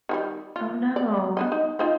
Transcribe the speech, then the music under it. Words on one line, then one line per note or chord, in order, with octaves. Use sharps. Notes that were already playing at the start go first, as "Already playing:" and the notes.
Oh no.
D#3 F#3 G3
F4
D5
B3 D4 D#5
D#4
C4 D#4 F4